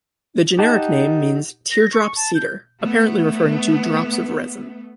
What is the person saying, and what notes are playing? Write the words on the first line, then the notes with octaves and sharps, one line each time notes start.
The generic name means "teardrop cedar", apparently referring to drops of resin.
D#4 G4 F#5 A5
A#6
C#6
A5
G6
A3 B3